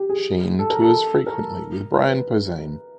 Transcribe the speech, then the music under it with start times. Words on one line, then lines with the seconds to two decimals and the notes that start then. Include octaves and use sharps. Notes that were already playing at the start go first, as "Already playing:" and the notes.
Sheen tours frequently with Brian Posehn.
Already playing: G4
0.09 G#4
0.59 A4
0.70 A#4
0.82 A4
1.26 A#4
1.92 B4
2.09 B4